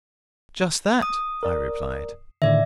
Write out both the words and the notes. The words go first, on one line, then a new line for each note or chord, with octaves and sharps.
"Just that," I replied.
D#6
A#4 D5
A2 D3 D#3 D5 E5